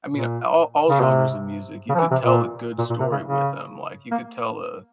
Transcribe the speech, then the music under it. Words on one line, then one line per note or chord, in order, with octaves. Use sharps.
I mean, all all genres of music, you could tell a good story with them, like, you could tell a
A#2
C#3
C3
C#3
F3
E3
C3
A#2
A#2
A#2
C3
C#3
C#3
A#3